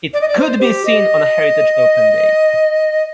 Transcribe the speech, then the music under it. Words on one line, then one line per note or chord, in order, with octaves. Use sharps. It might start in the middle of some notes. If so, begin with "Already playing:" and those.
It could be seen on a Heritage Open Day.
D5
D#5
D5
C5
G4
D#5